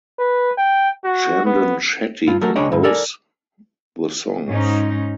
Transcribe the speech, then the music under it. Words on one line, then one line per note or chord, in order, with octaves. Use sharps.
Chandan Shetty compose the songs.
B4
G5
F#4
B3
G2 F4
F#3 A3 A4 A#4
C#2 G#3 D4 C#5 D#5 G5
D2 G2
A4 A#4 D5 G#5
G#2 C#4 D#4